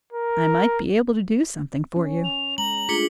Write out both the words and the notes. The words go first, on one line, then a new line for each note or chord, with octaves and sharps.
'I might be able to do something for you.
A#4
C#4
F7
G#3 A#5 F#7
A3 D4 F4 G#4 B6 C#7 G7